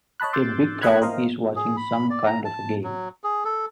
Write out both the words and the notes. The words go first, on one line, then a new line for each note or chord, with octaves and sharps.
A big crowd is watching some kind of a game.
C#5 D#5 A5 B5 F#6
C6 D6 E6 F#6 G6 A6
A#4 D#5 F#5 B5 F#6 G#6
A#4 C5 D#5 F5
G#4
B5
D5
A#5
A5
F#3
G#4
A4